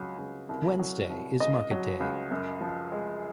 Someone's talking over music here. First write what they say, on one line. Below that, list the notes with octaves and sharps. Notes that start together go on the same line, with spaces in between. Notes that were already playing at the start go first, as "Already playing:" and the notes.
Wednesday is market day.
Already playing: C#2 F#3
C#2
C2
F#3
C2
C#2 D#5
F#3
C#2
F#2
F3
G#3